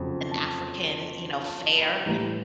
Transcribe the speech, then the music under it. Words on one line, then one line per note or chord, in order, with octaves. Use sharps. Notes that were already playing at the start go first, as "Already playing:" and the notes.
an African, you know, fare,
Already playing: F2 C#3 F#3
A5
A5
B5
A2 E3 G3 A#5